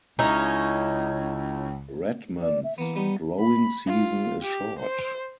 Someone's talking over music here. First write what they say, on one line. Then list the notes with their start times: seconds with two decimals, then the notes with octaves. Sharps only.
Redmond's growing season is short.
0.19 C#2 C#4 D#4 E4
2.42 D5
2.64 E5
2.78 E3 A#3 B3
2.96 G3 B3 D#4
3.40 B5
3.87 F4
4.42 G4
4.79 C5